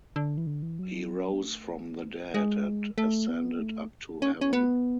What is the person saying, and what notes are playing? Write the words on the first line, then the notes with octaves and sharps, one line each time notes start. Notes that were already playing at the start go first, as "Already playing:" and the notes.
He rose from the dead and ascended up to heaven.
D3
E3
D3
E3
F#3
B3
A3
G#3
A3
B3
A3
C#4
C#4
B3